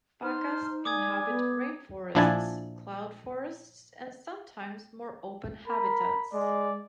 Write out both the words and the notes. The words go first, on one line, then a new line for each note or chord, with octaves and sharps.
Pacas inhabit rainforests, cloud forests, and sometimes more open habitats.
D#4 C5 F6
D5 G#5 D6 D#6 G#6
B3
A#1 F3 D4 E4 G#5 A5
A#4 B5
G#3 D5